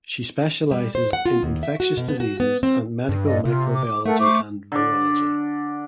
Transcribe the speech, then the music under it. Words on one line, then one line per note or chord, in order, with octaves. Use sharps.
She specialises in infectious diseases and medical microbiology and virology.
G3
C5
F#5
F4
D#2
E5
F#4
B2
B3
F#4
B3
C4
G2
A4 D5 D#5
C3 F4
D6
A3 A4 A#4 F#5
C5 C#6 D6
D3 D5